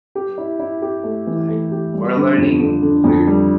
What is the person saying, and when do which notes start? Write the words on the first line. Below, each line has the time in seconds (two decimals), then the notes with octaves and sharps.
Right, right. Like, we're learning weird
0.15 G4
0.38 E4
0.59 E4
0.82 G4
1.04 A3
1.27 E3
1.48 A3
1.72 G4
1.94 G3
2.16 D3
2.37 F2
2.60 D3
2.82 D3
3.04 F2
3.27 G3